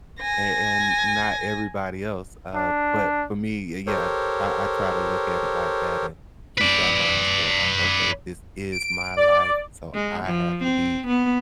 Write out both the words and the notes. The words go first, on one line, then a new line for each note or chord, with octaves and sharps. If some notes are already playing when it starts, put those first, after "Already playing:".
and and not everybody else, uh, but, for me, y yeah, I I try to look at it like that and keep that mindset like, "Okay, this is my life so I have to be
G#5 A#6
D4
G4 A4 A#4 C5 C#5
B4 D5
D7
D5
G#3
F3
C4
B3